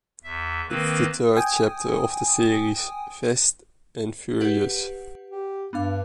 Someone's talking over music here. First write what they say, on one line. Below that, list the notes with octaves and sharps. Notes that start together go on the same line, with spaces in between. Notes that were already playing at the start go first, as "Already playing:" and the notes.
It’s the third chapter of the series "Fast and Furious".
E2 E5
D#3 A#3 C4 B4
G5 G#5 D#6
G4 B4 F#5
G4
G2 B3 D4 F5